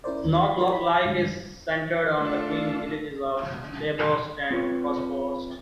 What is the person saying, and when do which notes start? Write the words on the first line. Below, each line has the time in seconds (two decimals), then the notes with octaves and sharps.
North Lochs life is centred on the twin villages of Leurbost and Crossbost.
0.04 C#4 E4 A#4 C5 D5
0.24 D#2
0.43 B5
0.57 D#4 F4 G4 A#4 C#5 D5
0.73 E4 B5
1.05 G#2 D3 G3
2.18 A3 D4 F4 A4
4.50 C4 F4 B4 C#5